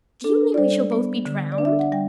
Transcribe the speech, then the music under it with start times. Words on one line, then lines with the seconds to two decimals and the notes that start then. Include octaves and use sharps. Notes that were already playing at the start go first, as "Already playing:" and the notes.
"Do you mean we shall both be drowned?"
0.24 D4 A4
0.54 D5
0.58 G3 C5
0.92 B3
1.25 D3
1.52 D5
1.58 D4
1.65 E5
1.79 F#5
1.92 G3 G5